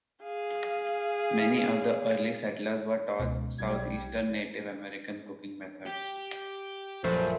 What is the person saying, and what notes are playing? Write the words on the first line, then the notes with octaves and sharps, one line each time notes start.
Many of the early settlers were taught Southeastern Native American cooking methods.
G#4 F5
C#2 B2
B1 G3 G#6
G4
A#1 F#2 A3 C5